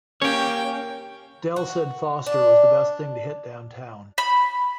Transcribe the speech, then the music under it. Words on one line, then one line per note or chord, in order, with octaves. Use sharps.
Dell said Foster was the best thing to hit downtown.
A#3 C#4 G4 C#5 G5
F#4
D4
B5